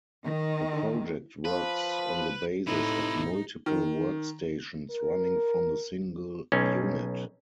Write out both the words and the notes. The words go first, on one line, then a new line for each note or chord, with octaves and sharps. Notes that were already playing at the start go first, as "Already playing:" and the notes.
The project works on the basis of multiple workstations running from a single unit.
D#3
F3 B4
A2 C3 D#4 E4 B4
D#3
A#4
B1 C#4